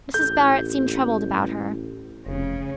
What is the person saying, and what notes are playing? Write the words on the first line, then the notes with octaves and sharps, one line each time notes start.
Mrs. Barrett seemed troubled about her.
A1 A4 G6
F1 C#3